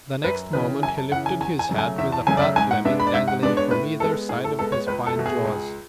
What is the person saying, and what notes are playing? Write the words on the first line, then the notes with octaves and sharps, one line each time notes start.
The next moment he lifted his head with a fat lemming dangling from either side of his fine jaws.
F#2 B4
C#3 E3 B4
F#2 G#5
A5
C#3 E3 F#5
G#5
E2 G#5
G#5
C#3 F#3 A3
G#5
E2 E5
A5
C#3 F#3 A3 G#5
D5
E5
G#2 G#5
F#5
G#3 B3 D4 E5
B5
D5
G#2 E5
F#5
G#3 B3 D4 D5
C#5
A2 B4
G#3 B3 A4
A2 G#4
A4
G#3 B3 A4
C#5
C#2 B4
A4
B2 A3
G#4
C#2